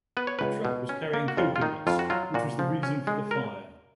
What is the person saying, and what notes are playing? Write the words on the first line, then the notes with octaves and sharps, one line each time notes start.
The truck was carrying coconuts, which was the reason for the fire.
B3 B4
C#5
C#2 B4
B2
C#4
A#3
F#4
F2 F4
F4
D#3 D#4
F2 F4
F#4
F#3 F4
A#2 F#4
F3
C#4
G#3
A#4